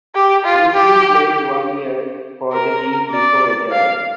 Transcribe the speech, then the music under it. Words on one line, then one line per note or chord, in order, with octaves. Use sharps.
Presley played one year for the team before retiring.
G4
F4
G4
A#4
D5
F5